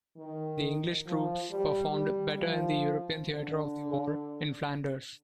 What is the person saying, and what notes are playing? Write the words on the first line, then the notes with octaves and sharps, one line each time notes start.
The English troops performed better in the European theatre of the war in Flanders.
D#3
F3
G3
G3
F3
D3